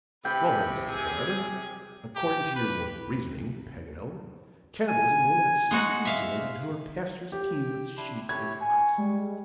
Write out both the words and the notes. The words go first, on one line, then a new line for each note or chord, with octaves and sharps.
"Well, then," said Glenarvan, "according to your mode of reasoning, Paganel, cannibalism will not cease in New Zealand until her pastures teem with sheep and oxen."
C3 B4 G5 B5
G#4 G#5
G4
B4
G#5
G#3 D#4 F#4
E5 F5
G4
G5
D4 E4 C6
E4 G4 C#5 G#6
G#5 C#6
G3 G#3